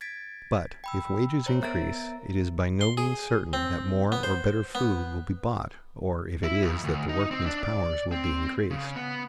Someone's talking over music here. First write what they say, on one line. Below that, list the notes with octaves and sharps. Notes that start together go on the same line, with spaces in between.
But if wages increase, it is by no means certain that more or better food will be bought or if it is that the workmen's powers will be increased.
G#6 A6 B6 D7
G5 B5 E6
C5 C#5 A#5
B3 A#4 E5 A#5 A6 D7
C6
G#4
C4
B3
C5
B3
E4
F2
D2
D#4
C4
D4
D5
C4
C#3
B3